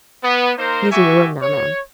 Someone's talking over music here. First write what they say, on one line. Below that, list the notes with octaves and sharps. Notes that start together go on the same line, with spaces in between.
He is in your room now, ma'am.'
B3
A#3 D#4 A#4 C5
E4 F#4 G4 E5 G#5 C#6
C#5